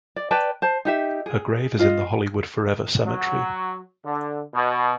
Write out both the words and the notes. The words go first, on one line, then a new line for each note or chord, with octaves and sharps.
Her grave is in the Hollywood Forever Cemetery.
D5
B4 D5 G5 A5
C5 A5
D#4 G4 E5
G#4
F4 D#5
F#3
D3
B2